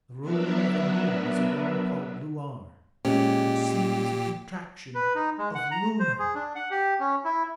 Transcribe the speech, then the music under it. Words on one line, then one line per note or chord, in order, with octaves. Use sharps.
"The ruler of the Moon is a woman called Luar, which seems a contraction of Lunar!"
F#3 B3 D4 A#4 B4 E5
A#2 G#3 C#4 G4
B4
D#4
G#3
F#5
A#5
C5
G#4
D4
F#5
G4
C#4
E4